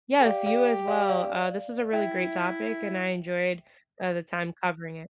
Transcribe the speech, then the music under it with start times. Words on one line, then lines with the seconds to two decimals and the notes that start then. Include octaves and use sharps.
Yes, you as well. Uh, this is a really great topic, and I enjoyed, uh, the time covering it.
0.21 A4
0.25 G4 D5 F5
0.46 D5 F5
0.88 D5 F5
1.09 D5 F5
1.93 E4 E5 G5